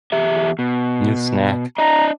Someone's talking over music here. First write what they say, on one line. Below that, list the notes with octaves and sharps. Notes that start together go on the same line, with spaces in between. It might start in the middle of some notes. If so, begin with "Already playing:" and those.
New snack.
E2 G4 E5
B2
D4 D#5 A#5